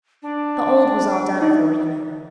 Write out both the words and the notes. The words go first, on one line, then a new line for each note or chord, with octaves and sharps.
The old was all done for, you know.'
D4
D#4 D5 E5